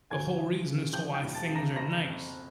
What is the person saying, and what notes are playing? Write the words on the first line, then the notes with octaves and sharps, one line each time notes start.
the whole reason as to why things are nice.
D2 G#5 G#6
F3
C#3
F3 G5 G6
G5 G6
E1
A5 A6
C#3
A#5 A#6
F#1 A#5 A#6
F2